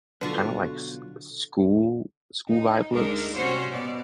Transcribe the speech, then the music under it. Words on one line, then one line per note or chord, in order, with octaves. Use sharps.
kinda like s school school-vibe looks?
B1 D3 F4 F#4 B4
D#4
D2 G#3 A3 D4 D#4 A#4
C3 G3 C#4 F#4 C5 C#5
B2 D5